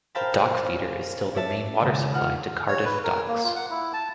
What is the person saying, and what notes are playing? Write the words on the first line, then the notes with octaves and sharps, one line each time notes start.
The dock feeder is still the main water supply to Cardiff Docks.
A#4 C5 F5 G5 A5 B5
C#4
C#5 D5 E5 A5
D#1 C#3 G#3 A4
F4 F#5 F6
C#5
B4
A#4
A#3
F4
F#5
E4
A5